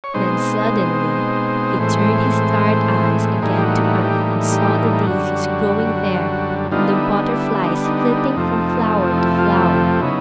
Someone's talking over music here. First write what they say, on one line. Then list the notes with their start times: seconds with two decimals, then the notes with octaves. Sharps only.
Then suddenly he turned his tired eyes again to earth, and saw the daisies growing there, and the butterflies flitting from flower to flower.
0.04 C#5
0.14 B2 G#3 C4 D#4 C5
1.78 A2 E3 G#3 C4
3.42 A2 E3 G3 A#3 D#4 G#4
3.58 G4
3.63 F#4
3.84 F#4
4.04 G4
4.52 G4
5.07 F#2 D3 G3 F#4
6.71 D3 G3 B3 D#4 F4
6.92 E4
7.12 D#4
7.34 E4
7.54 E4
7.64 D#4
7.85 D#4
8.36 F2 C3 F3 A3 C4
9.12 D#4
9.18 E4
9.38 F4
9.59 E4
10.00 C#3 F#3 B3 D#4 E4